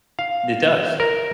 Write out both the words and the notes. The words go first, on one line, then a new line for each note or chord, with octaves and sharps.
It does.
F5
A#4